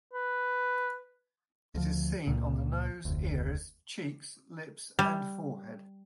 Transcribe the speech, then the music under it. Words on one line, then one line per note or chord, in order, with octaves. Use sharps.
It is seen on the nose, ears, cheeks, lips, and forehead.
B4
D2 F3
C#2 A#2
F1 D2
G3